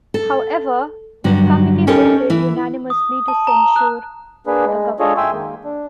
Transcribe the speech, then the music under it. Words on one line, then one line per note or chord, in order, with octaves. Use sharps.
However, the committee voted unanimously to censure the governor.
A4
G2 D3 F#3
C#4 D#4 G4 A4 A#4 C#5
E3 E4
D#6
A5
A#5
F#6
A#3 D4 G#4 B4
G#3
D4 F4 G#4 A4 C#5 D#5
F#2 E5 G5 G#5 C6 E6
D#3 G#3 A#3
D4